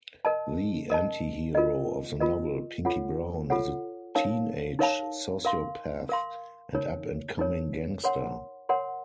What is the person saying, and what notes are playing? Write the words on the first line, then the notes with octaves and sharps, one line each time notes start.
The antihero of the novel, Pinkie Brown, is a teenage sociopath and up-and-coming gangster.
A#4 D#5 A5
A#4 D#5 A5
F4 A#4 D#5
F4 A#4 D#5
F4 A4 C#5 F#5
F4 A4 C#5 F#5
D#4 A#4 C#5 F5 A5
D#4 A#4 C#5 F5 A5
A#4 F5 C6
A#4 F5 C6
D#4 A#4 C#5
D#4 A#4 C#5
A#4 C#5 F#5 C6
A#4 C#5 F#5 C6